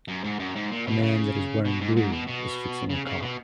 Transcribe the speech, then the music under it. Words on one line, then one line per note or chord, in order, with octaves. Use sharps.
A man that is wearing blue is fixing a car.
F#2
G#2
F#2
G#2
A#2
B2
C#3
B2
G#2
G#2
B2
B2
C#3
C#3
B2